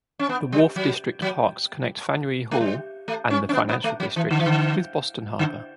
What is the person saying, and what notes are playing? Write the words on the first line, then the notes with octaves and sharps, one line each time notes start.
The Wharf District Parks connect Faneuil Hall and the Financial District with Boston Harbor.
C#4
B3
G3
F#3
F#3
A3
G3
A3
C#4
C#4
B3
B3
A3
F#3
E3
D3
E3
D3
D3